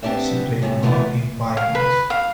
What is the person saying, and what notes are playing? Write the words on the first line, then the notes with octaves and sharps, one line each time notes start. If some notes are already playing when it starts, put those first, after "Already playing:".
She played Aud in "Vikings".
B3 C4 D4 G4 D5 E5
A2 C3 G#3 A3
E3 A3 B3 E4 F4
F5
B4
F5